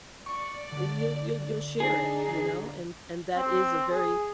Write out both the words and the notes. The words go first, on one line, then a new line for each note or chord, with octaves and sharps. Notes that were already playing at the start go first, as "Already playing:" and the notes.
And you'll you'll you'll share it, you know? And and that is a very
D5 C#6
D3
D4 D#4 G#4
C4
G#4